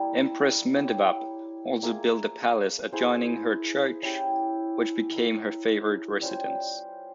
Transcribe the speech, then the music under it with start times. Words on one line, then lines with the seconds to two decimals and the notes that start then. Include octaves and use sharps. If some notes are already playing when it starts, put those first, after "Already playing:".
Empress Mentewab also built a palace adjoining her church, which became her favored residence.
Already playing: G3 A#3 E4
0.73 E4 G4 C#5
1.83 A#3 F4 G#4 E5
2.92 E4 G#4 C5 F5
4.02 C#4 E4 G4
5.12 E4 A#4 E5
6.21 G3 C#4 F4 C5